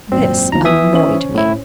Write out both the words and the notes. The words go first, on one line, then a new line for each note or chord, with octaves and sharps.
This annoyed me.
G#1 F#2 A#2 C4
D2 D#3 F3 A#5
E3 B3 E5 D#6
C#4 C5 F#7
A2 E4